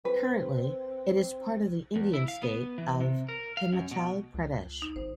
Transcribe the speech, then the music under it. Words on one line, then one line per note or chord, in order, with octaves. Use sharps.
Currently, it is part of the Indian state of Himachal Pradesh.
C4 B4
E2
E4
F5
B3
E3
C3
A#4
F5
F#2
B2
C#2
D#4
G#1 C5